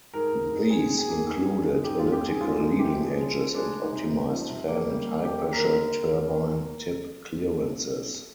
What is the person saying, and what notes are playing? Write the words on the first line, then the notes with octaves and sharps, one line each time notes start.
These included elliptical leading edges and optimised fan and high-pressure turbine tip clearances.
G#2 A#4
G#2
G#2
G#2 G#4
G#2
G#4
A#3
G#2 G#4
G#2
G#2
G#2 G4
G#2 F4
G4
G#2 G#4
G#3 F4
G#3 D#4
C3 G4
F3 G#4
G#3
F3
G#3 D4
G#3
D#4
C3
C3
F3
C3
A#3
G3
A#3
A#3 G4
D3
A#4
D3